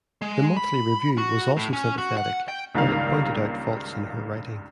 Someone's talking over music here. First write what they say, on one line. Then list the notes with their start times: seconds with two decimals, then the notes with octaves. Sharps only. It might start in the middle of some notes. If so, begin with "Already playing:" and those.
The "Monthly Review" was also sympathetic, but it pointed out faults in her writing.
0.22 G#3
0.57 B5
1.18 F#4
1.57 A2
1.73 C#4
1.98 F#4
2.17 F#5
2.48 G5
2.75 C#2 G2 D#3 A#3 F5